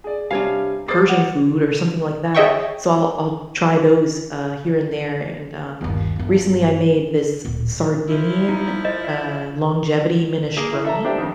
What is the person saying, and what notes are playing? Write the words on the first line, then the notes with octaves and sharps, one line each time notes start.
Persian food," or something like that, so I'll I'll try those, uh, here and there. And, um, recently, I made this, Sardinian, uh, longevity minestrone,
G#4 D5
C3 G3 D4 C#5 F5 G#5
G#4 C5 D6 A6 C7
F#5
G#4 C#5 D#5 E5 G5 C#6
G1 D#2
G1 G2
D4
D1 A#2
F3 E4
D#4
C5 D#5
D5 E5
A#3 G#4
E4
A4 E5 A#5
D4 G4 C5 E5
F2 D#3